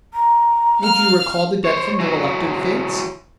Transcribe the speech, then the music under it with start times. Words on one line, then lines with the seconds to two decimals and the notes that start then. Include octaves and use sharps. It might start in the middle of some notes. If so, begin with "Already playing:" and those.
Would you recall the dead from the reluctant fates?
0.14 A#5
0.80 F5 F6
1.65 C5 C#5
2.00 E3 F#3